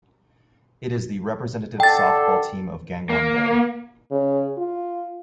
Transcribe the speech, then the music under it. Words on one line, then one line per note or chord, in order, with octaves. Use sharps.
It is the representative softball team of Gangwon-do.
D3 D4 A4 G5 A6
A#3
C#3
F4